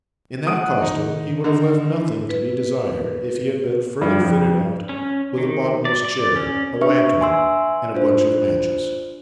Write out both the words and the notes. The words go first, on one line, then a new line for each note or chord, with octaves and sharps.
In that costume he would have left nothing to be desired, if he had been further fitted out with a bottomless chair, a lantern, and a bunch of matches.
F#5 D#6 D7 D#7
D#3 D#4
D3 D#4
E4
B4
G2
F2
C#4
D#3
D5
D5
C#4
D4 B4 E5 C#6
E5 G#5 C6 E6
D4 F4 C5